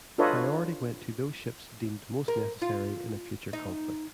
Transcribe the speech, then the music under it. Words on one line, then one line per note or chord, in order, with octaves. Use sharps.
Priority went to those ships deemed most necessary in a future conflict.
D4 F4 A4 B4 C#5 D#5
A#4
F4
D#4